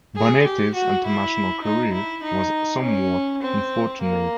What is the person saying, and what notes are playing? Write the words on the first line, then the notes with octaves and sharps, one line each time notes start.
Bonetti's international career was somewhat unfortunate.
G#4
G4
F#4
E4
D#4
E4
D#4
C#4
C4
A#3